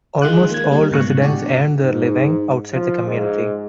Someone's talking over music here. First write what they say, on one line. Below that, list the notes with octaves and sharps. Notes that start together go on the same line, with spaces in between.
Almost all residents earn their living outside the community.
D#3 G#3 F4 F#6
A#3 G#6
G3 A#3 D#4
G#2 B2 C#6 F#6
A2 D4 F#4 G4
G#2
F3
G#2